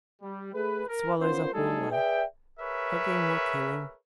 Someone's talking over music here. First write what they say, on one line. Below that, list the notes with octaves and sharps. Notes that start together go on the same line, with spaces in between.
It swallows up all life, Hugging, or killing.
G3
A3 G#4 B4
A#4
B3 C#4 F4 A#4 C5
F#3 G3 A3 D#4 G#4 A4
G#4 B4 D5 E5 G5
G#4 A#4 B4 C#5 E5